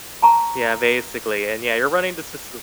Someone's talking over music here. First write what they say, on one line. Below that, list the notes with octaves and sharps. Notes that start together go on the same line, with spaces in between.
Yeah, basically, and yeah, you're running this facil
A5 A#5 C#6